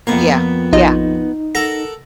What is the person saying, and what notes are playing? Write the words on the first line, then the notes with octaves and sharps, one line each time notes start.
Yeah, yeah.
F2 A#3 B3 C#6
A#1 D#4 F4 D#5
A4 A#4 F#5 A#6